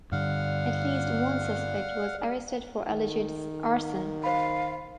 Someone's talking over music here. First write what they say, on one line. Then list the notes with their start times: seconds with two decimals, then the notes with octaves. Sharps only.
At least one suspect was arrested for alleged arson.
0.12 G2 D3 D5 F5 F#5 F6
2.90 D#3
4.24 C5 F5 B5